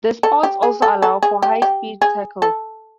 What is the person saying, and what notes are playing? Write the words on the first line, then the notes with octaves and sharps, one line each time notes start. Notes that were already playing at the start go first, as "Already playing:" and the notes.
The spouts also allow for high-speed tackles.
A4
G4
G#4
A4
A4
G#4
G4
G4
G#4
A4